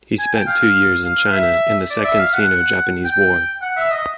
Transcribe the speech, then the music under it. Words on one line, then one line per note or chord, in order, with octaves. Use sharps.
He spent two years in China in the Second Sino-Japanese War.
G#5
G5
F5
F5
E5
D5
E5
F5
F#5
G5
F#5
E5
D#5